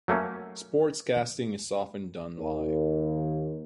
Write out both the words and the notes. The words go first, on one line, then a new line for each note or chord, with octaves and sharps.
Sports casting is often done live.
F#3 A3 A#3 C#4
D#2